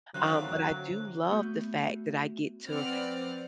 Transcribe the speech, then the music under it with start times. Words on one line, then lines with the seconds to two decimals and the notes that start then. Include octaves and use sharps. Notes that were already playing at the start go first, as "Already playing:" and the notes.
Um, but I do love the fact that I get to
0.14 F#2 D3 F#3 C4 F4 F#6
1.29 A3 B3 F#4 B4 G6
2.67 F3 C4 B4 D5 F#5 F6